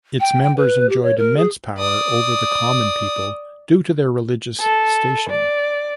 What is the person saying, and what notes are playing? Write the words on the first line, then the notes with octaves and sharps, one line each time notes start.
Its members enjoyed immense power over the common people due to their religious station.
G5
G5
B4
G4
C#5
A#4
G#4
D5 D#6
A4
D5